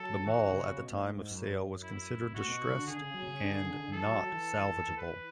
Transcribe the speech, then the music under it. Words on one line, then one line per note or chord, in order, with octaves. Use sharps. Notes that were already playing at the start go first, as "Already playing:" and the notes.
The mall at the time of sale was considered distressed and not salvageable.
Already playing: F#3 A4
E3 F#4
C#3
B2
A2
G#2
F#2
E4
B2
A2 F#4
B2
C#3
D3
D3 G#4
C#3
F#3
B2
C#3
D3
D3
D3
D3
E3 A4
F#3
F#3
E3
B4